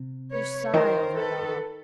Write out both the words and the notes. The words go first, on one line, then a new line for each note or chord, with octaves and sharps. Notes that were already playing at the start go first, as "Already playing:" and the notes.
'You sigh over it all.
Already playing: C3
B4 C#5
D#3 A#4 C5
A4 B4